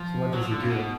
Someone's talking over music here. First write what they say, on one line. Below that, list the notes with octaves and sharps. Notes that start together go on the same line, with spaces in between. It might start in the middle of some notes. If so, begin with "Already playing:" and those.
So what does he do?
Already playing: F3
F#3
F3
D3
C#3
B2